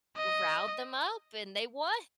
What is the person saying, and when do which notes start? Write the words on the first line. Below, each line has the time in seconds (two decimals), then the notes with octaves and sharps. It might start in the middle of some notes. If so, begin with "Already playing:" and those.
riled them up, and they won.
0.17 D#5